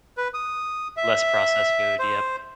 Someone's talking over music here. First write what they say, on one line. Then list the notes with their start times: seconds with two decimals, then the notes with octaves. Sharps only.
Less processed food. Yep.
0.17 B4
0.34 D#6
0.97 E5
1.99 C5